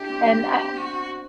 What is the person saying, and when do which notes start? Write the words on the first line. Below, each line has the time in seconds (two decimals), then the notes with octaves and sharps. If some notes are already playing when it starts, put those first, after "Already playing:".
and I
Already playing: D4 E4 G4
0.09 C4
0.32 B3
0.55 C4
0.77 C4 F#4